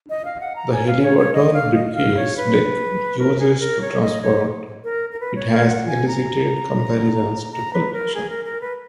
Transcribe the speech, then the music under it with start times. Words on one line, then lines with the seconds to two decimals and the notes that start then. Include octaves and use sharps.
The Haliburton briefcase Blake uses to transport it has elicited comparisons to "Pulp Fiction".
0.10 D#5
0.25 F5
0.40 F#5
0.56 A#5
0.72 G#5
0.87 F5
1.03 C#5
1.18 C#5
1.33 D#5
1.54 F5
1.75 D#5
1.95 F5
2.16 C#5
2.37 B4
3.19 A#4
3.40 G#4
3.60 A#4
3.81 C#5
4.01 D#5
4.22 C#5
4.84 A#4
5.12 A#4
5.20 B4
5.36 C#5
5.51 F5
5.67 F#5
5.87 G#5
6.08 A#5
7.52 A#5
7.73 B4
7.93 A#4
8.15 G#4
8.29 A#4
8.45 A#4
8.61 B4